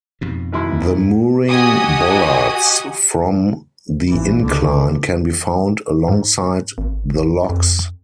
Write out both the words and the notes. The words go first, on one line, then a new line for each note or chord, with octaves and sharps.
The mooring bollards from the incline can be found alongside the locks.
F2 G#2 B2
G#1 E4 C6
F#4 G4 D#5 G#5 D#6
G#1 E3
C#2 D3
G#2
G#1
F2